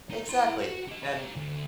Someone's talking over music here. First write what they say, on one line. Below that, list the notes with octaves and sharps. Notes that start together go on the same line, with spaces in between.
Exactly, and
D#4
E4 C6
F#4 F#5
G4 D#5
D#4 C#5
D2